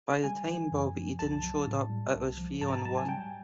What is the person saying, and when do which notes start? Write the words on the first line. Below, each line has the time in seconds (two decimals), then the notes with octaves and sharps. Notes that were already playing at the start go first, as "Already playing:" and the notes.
By the time Bobby Eaton showed up, it was three on one.
0.24 G3 G#5
0.48 E3
0.72 F#2
0.95 F3
1.19 C2 A5
1.43 F#3
1.66 A2
1.90 G3
2.14 C2
2.38 F3
2.61 G#2 A5
2.68 A#5
2.73 A5
2.85 F#3 A5
2.97 G#5
3.09 G3 G5